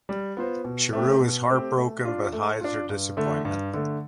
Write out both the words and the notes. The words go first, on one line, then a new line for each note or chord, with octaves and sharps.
Charu is heartbroken but hides her disappointment.
G3
B3 F4 C5
B2
A3 C4 G4
B2
A3 C4 G4
A3
D4 F4
A3
D4 F4
G2
D3 A3
G2
D3 A3